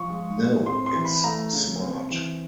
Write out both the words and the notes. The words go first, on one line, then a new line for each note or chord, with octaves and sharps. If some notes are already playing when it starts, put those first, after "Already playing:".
No, it's smart.
Already playing: F3 C#6
G#3
A2
C4 C6
C6
E3
B5
A3 A#5
C#3
C4
E3